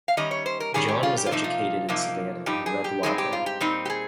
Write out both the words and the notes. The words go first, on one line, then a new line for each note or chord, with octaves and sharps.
John was educated in Savannah and read law there.
F5
D#3 G3 C#4 D#5
C#5
C5
A#4
D#3 G3 C#4 G#4
G4
F4
G4
F4
C3 F3 A#3 D#4
F4
C3 F3 A#3 D#4
G2 F3 D#4 G4
G#4
G4
G2 F3 G#3 C4 D#4 G#4
G4
F4
G4
A#2 G3 C4 D#4
G4
G#4